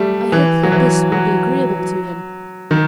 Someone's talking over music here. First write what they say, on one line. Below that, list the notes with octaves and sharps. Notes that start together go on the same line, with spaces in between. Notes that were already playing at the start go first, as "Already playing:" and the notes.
I hope that this will be agreeable to him.
Already playing: G3 A3
E3
F#3
E3
F#3
D#3